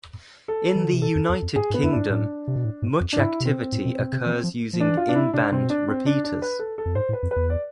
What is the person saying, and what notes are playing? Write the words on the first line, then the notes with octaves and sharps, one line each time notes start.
In the United Kingdom, much activity occurs using in-band repeaters.
A4
E3
D3
C3
B2 A4
F2
E2
F2
G#2 G#4
G#2
B3
F2 E4
G#2 D4
A2
C3
B2
A2
G#2
F2
D4
G#2 E4
C3
B2 C4
A2
B2
B2
C3
E3
F3
F3
E3 D4
F4
D4
E4
C3 D4
C3 C4
B2
D4
C4
D4
D4
B4
A4
A4
F2
G#2 C5
A2
B4
F2
B4
E2
D5